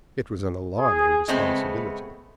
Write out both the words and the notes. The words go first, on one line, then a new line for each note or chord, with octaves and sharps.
It was an alarming responsibility.
G#4
C#3 G#3 A3 B3 C4